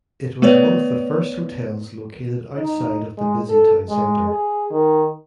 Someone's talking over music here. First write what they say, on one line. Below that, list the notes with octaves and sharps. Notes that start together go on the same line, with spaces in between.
It was one of the first hotels located outside of the busy town centre.
A3 B3 B4 C#5 D5
D#4
G#3
A4
G#3
G#4
D#3